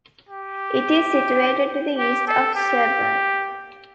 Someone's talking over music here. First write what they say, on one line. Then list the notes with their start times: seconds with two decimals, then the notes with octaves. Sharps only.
It is situated to the east of Sherburn.
0.29 G4
1.98 G4
2.27 A4
2.55 G4